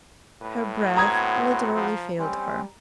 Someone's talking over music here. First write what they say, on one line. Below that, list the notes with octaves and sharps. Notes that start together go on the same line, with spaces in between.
Her breath literally failed her.
A2 B4
B3 C4 F#4 A#5 D#6 G#6
F3
G3 C4 C#4